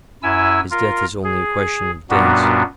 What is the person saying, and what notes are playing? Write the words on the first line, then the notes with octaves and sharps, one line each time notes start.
His death is only a question of days.
F#2 E4 G#5 E6
F4 A#4
G#4
F#2 A#2 G3 B3 D4 F#4